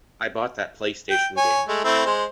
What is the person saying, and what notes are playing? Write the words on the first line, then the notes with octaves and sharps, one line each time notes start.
I bought that PlayStation game.
G5
C#5 G#5
G#3 A3
A3 C4 E4
G#3 C5